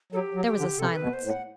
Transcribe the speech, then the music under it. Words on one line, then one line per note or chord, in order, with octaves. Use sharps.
There was a silence.
F#3 A4
G4
F#3
G4
D3
C3 A4
B4
B2
C5
A2
F#5